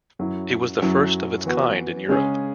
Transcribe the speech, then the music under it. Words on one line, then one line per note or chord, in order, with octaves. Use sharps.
It was the first of its kind in Europe.
F#2 F#3 E4
F#2 F#3 C#4 E4
E3 B3 F#4
C#3 G#3 C#4 G#4